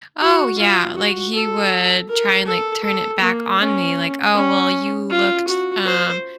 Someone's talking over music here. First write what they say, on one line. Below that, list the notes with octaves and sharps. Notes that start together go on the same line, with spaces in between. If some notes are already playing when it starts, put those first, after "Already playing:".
Oh, yeah, like, he would try and, like, turn it back on me, like, "Oh, well, you looked, um,
F#4
F4
F#4
A4
A#4
A4
A4
A#3
C#4
C#4
F4
F#4
C5